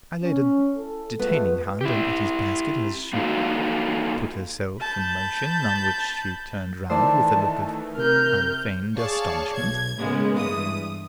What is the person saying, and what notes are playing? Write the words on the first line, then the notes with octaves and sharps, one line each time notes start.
I laid a detaining hand on Etty's basket as she put herself in motion, on which she turned round with a look of unfeigned astonishment.
C#4
A2 A4
G#3 A3 B3 F4
E4 G4
A#3 D#4 F4 F#4 A4
A5 B5 G6
D#3 E3 A3 C5 D5 A5
C3 A#4 F6 G6
G#4 C#5 D5 F5 A5 C#6
B1 G#6
A2 C#3 G#3 A#3 B3
G2 E3 D#6